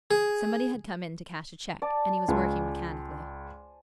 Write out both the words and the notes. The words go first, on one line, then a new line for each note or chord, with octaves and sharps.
Somebody had come in to cash a cheque, and he was working mechanically.
G#4
D5 A5
C#2 C5 G#5